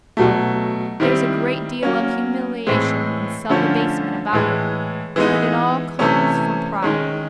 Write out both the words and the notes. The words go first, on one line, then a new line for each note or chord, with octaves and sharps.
Oh, there's a great deal of humiliation and self-abasement about it, but it all comes from pride....
B2 F#3 A3
D#3 G3 C4 E4
F#3 A#3 C#4
A2 E3 G#3 C4
D3 F3 A3 C#4
A2 E3 G#3
E3 G#3 B3 D#4
C3 E3 A3 C#4
D#3 G#3 C#4